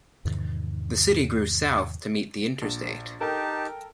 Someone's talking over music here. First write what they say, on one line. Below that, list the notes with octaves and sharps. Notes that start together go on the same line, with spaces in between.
The city grew south to meet the interstate.
E2 G#2 C3 D#3
A#1
D#4 G4 A4 A#4 G5 A5